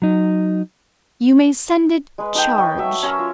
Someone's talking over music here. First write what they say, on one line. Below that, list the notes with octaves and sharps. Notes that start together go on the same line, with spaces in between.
"You may send it, charge."
F#3 D#4
G#3 B4
D#4 A4 B4 G5
C#5 G5
F#3 E5
C#4 A#4 C#5 E5
F4